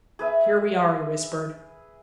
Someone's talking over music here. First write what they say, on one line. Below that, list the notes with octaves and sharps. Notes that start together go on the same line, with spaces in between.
"Here we are," he whispered.
G#4 B4 E5